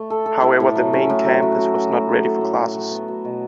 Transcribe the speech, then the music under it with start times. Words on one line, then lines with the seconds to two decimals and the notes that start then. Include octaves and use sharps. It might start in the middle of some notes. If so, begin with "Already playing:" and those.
However, the main campus was not ready for classes.
Already playing: A3
0.10 A4
0.26 A4
0.43 E4
0.60 A2
0.75 F#3
0.93 C#4
1.10 A2
1.26 F#3
1.42 F#4
1.59 F#4
1.75 F#4
1.92 A2
2.09 A4
2.25 A4
2.41 A2
2.58 F#3
2.75 F#3
2.91 B3
3.08 F#3
3.25 B2